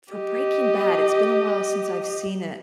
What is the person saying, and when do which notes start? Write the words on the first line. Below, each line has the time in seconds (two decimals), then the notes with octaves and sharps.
for Breaking Bad, it's been a while since I've seen it,
0.13 G4 D#5